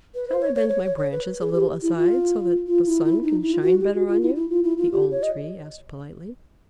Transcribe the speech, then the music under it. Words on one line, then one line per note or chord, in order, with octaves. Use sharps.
"Shall I bend my branches a little aside so that the sun can shine better on you?" the Old Tree asked politely.
B4
C5
C#5
C#5
C#5
C#5
C#5
B4
G#4
G4
E4
F4
F4
E4
F4
E4
D#4
E4
F4
F#4
G4
F#4
F4
E4
E4
F4
E4
F4
G4
C#5
D#5